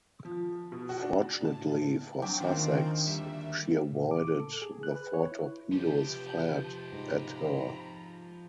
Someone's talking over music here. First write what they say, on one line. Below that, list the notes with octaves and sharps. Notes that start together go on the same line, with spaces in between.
Fortunately for "Sussex" she avoided the four torpedoes fired at her.
F3
B2
F#4
D4
A2 A5
F#3 C4 D4 G5 D6
D#2 D#3 A#3 C4 D4 F4 C5
D2 G3 E5
A#2
D6
A4
G#4
F#6
B4
C#5
E4
C3 F3 G4 B4 A5 G6
G#2 A#5 B5